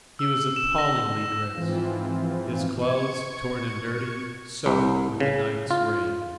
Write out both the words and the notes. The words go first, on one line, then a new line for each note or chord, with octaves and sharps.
He was appallingly dressed: his clothes torn and dirty, soaked with a night's rain.
E6
E7
A#6
G#2 E3 F3 C4 F4
C#6 G#6 C#7
C2
C#3
F4